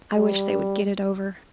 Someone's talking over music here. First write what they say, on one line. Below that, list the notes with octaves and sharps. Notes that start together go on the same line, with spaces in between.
I wish they would get it over!
G3